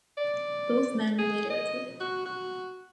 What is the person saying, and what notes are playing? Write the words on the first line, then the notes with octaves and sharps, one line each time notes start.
Both men were later acquitted.
D5
G#4
D#5
F#4
F#4